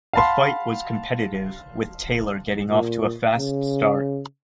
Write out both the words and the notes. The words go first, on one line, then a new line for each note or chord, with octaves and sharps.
The fight was competitive, with Taylor getting off to a fast start.
F5 F#5 A5 B5 C6
A#2
C#3